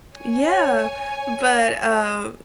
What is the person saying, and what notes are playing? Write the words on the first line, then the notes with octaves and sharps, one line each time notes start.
Yeah, but, uh,
C#5 G#5